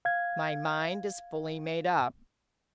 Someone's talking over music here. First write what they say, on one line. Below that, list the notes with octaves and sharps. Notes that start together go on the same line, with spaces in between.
"My mind is fully made up."
F5 G#6